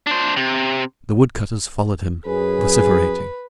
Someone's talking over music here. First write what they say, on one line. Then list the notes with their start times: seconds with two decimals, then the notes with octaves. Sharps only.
The woodcutters followed him, vociferating.
0.07 D4 C5
0.36 C3
2.26 F#2 G#4 B4